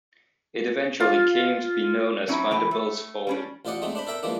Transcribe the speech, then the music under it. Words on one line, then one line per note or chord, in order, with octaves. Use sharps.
It eventually came to be known as "Vanderbilt's Folly".
F4
F#3 C4 C#4 D#4 E4
E3 G5 G#5
A3
G3 C#4 D4
A1 F4 C5 D5 D#5 F#5
G#3 A3 C4 D#4
D4 C5 B5
A4 A#4 E5 G5
E3 F3 G#3 A#3 D4